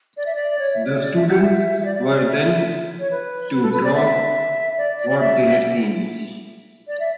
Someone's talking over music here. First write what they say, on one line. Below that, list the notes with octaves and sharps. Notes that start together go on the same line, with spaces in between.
The students were then to draw what they had seen.
D5
E5
D5
C#5
E5
C#5
D5
E5
F#5
E5
E5
D5
D5
E5
D5
E5
C#5
B4
B4
A4
B4
D5
E5
D5
D5
D5
E5
D5
E5